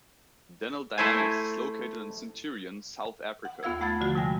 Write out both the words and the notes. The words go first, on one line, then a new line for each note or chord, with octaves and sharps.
Denel Dynamics is located in Centurion, South Africa.
A3 E4 C5 G#5
F#5
D#2 B3 F4 F5 E6 G#6
A3 F#5 B5 G#6 A6
D3 F3 A3 F#4
C3 G#3 G5 A#6